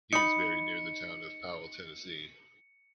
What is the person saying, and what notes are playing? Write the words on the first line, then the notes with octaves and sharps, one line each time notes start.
He is buried near the town of Powell, Tennessee.
D#4 B5 C#7